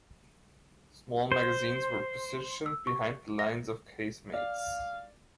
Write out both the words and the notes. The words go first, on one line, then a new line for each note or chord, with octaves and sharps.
Small magazines were positioned behind the lines of casemates.
C5
E6
C#6
A#6
D5 F5